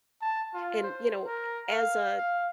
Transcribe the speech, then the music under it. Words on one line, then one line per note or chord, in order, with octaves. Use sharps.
and, you know, as, uh,
A5
F4
C5
A#4
F5
F5